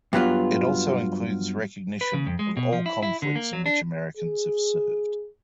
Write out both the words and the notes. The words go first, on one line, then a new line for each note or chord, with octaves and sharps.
It also includes recognition of all conflicts in which Americans have served.
G2 F#3 B3 F4
B4
C#3
F2
G#3
B2
F3
E4
E4
D3
A#3
F#3
D4
G#4